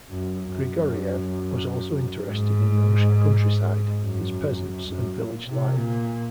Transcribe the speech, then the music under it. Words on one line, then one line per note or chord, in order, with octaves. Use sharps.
Grigoriev was also interested in the Russian countryside, its peasants and village life.
F#2
F#2
G#2
F#2
F#2
A#2
C3
A#2